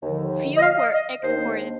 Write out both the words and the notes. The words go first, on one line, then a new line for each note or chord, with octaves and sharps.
Few were exported.
D#2 D3 F3
D#5
F5
D#5
D#5
D#2 D#3 A#3 D4 C5